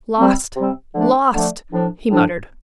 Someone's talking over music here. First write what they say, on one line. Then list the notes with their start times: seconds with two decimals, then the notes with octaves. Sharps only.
"Lost! lost!" he muttered.
0.18 C3 G3 C4
0.55 C3 G3 C4
0.95 D3 F3 A3 D4
1.33 D3 F3 A3 D4
1.72 A2 F3 D4
2.10 A2 F3 D4